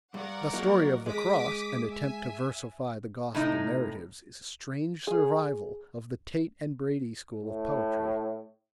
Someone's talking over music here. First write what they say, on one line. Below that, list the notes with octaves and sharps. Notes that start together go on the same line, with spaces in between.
The Story of the Cross, an attempt to versify the Gospel narratives, is a strange survival of the Tate and Brady school of poetry.
G2 A#4 D5 F#5
F#3 A#3 D#4
G#3 D6 D#6 B6
E5 G#5
A2 C3 D#4
G#4
A2